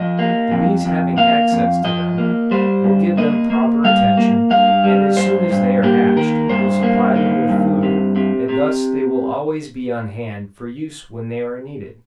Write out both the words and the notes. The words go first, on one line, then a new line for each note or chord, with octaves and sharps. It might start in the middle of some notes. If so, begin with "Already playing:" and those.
The bees having access to them, will give them proper attention, and as soon as they are hatched, will supply them with food, and thus they will always be on hand for use when they are needed.
Already playing: F3 D#5
A#3
F2
F2
A#3 F5
F2
F3 D#5
A#3
G3 C5
G2
A#3 D#5
A#3
G3 F5
A#3
G2 F5
G3
G2 C5
G2
A#3 G4
D#3 A#4
G2 C5
A#3
D#3
G2
C3
C3
C3